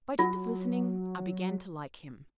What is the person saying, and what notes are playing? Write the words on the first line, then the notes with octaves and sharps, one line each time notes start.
By dint of listening, I began to like him.
F#3 F4